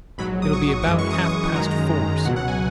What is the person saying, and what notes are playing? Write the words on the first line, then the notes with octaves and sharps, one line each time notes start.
"It'll be about half-past four, sir."
A#1 G#2 F#3 B5
D#6
C#6
C#6
F#2 E3 G#3 D#6
C#6
D#6
D#6
C#6
F#2 D#3 G#3 A#5
C#2 B2 F#3 F#5
F#5
G#5